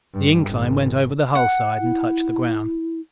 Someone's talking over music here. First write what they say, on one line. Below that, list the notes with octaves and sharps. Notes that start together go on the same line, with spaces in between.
The incline went over the hull side and touched the ground.
G2
G#1
F#5
E4